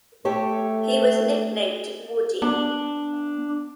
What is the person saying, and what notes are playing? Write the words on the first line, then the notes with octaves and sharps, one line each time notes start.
He was nicknamed "Woody".
A3 G4 A4 C#5
B3 D4